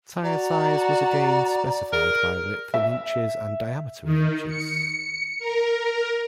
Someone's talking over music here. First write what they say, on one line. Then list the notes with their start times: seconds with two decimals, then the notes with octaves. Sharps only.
Tire size was again specified by width in inches and diameter in inches.
0.24 F#4 D5 A#5
1.93 G#4 A#4
2.74 E5
4.04 D#3
4.47 C#7
5.39 A#4